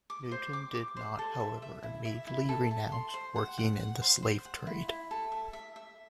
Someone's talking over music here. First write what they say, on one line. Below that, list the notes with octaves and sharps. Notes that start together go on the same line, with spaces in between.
Newton did not however immediately renounce working in the slave trade.
D6
C5
D6
D6
C5
A4
E5
E5
E4
E5
E4
A4
A4
C6
C5
F#5
F#5
F#5
C5
C5
F#5
E4
E4
A4
E5
E5
E5